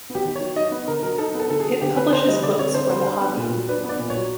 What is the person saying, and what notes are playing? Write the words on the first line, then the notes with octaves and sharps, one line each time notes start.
It publishes books for the hobby.
B3
G4
D#3
C#5
F#3
D#4 D#5
B3
D3 A#4
F#3 A#4
D#4 A4
B3
A4
D3 A4
G#4
F#3
D3 G4
C4 B4
D3 C5
G3 D#5
D3 D5
C4 C#5
D3 C5
G3 C5
D4
B3
A#2
F#3
D4 B4
B3
D5
A#2
C#5
F#3